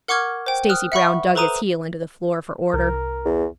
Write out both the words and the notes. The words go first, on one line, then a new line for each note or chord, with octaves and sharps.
Stacy Brown dug his heel into the floor for order.
A#4 F#5 C#6 D6 F6 G#6
C5 G5
D#6 F6 F#6
E5 F#5 B5 C#6
A4 B4 C5 A#5 D#6 D#7
C2 A#4
E2